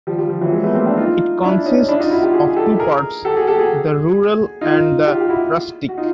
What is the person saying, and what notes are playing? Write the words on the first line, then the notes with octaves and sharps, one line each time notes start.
It consists of two parts : the rural and the rustic.
F3 G3
F3 G3
F3
E3 F#3
F#3 G#3
A3 B3
A#3 C4
C4 D4
D#4 F4
D4 E4
E4
C#4 D#4
D4 E4
D#4 F4
E4 F#4
F4 G4
F#4 G#4
G#4
G4 A4
G#4 A#4
G4 A4
F#4 G#4
G4 A4
F#4 G#4
D#4 F4
F4 G4
G4
E4 F#4
F#4
D#4 F4